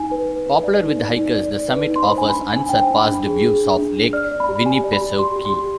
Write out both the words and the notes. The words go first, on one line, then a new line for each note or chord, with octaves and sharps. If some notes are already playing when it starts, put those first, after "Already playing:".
Popular with hikers, the summit offers unsurpassed views of Lake Winnipesaukee.
Already playing: D#4 G#5
B4
B4
B4
D5
D#4
D5
D#4
D5
D5
B4
D#4
C6
C5 B5
D4 G#5
B5
D4
D4 G#5
C5 G5
G#5
D4 B5
D4
G#4
G#4
D4
D4
D4
D5 F6
D5
B5
G4
B5
G4 G#5
D5
B5
G4
G4 C6
G4
C6
G4